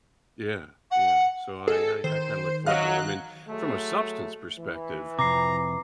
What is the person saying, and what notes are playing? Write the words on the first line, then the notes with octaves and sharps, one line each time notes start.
Yeah. Yeah. So I I I kinda look forward to that. I mean, from a substance perspective,
F#5
G#4 A4 D#5 G#5
D#3 C5
F#3 D#5 F5 F6 F#6
F#3 G#3 A3
E3
F2 C3 A#5 D6 C7